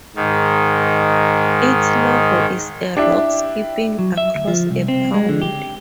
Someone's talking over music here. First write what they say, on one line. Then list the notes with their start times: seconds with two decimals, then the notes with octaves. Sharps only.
Its logo is a rock skipping across a pond.
0.16 G#2 D#3
2.97 D4 E4 G4
3.99 F#3
4.17 E5
4.35 D2
4.48 F3
4.71 C2
4.88 C4
5.14 G#3
5.29 D3
5.42 G4